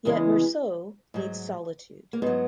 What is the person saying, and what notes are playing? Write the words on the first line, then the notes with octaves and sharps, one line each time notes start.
Yet Mersault needs solitude.
E2 C#3 E3 G#3
G#2 F#3
A#3
G#2 F#3 B3